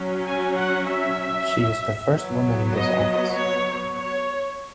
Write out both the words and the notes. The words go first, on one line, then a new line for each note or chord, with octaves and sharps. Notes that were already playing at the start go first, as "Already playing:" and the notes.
She is the first woman in this office.
Already playing: F#3 C#4
G#5
F#5
E5
F#3 B3
D#5
C#5
C#5